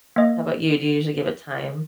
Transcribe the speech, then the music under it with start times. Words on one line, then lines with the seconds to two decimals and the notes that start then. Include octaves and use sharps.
How 'bout you? Do you usually give it time?
0.16 A#3 D#5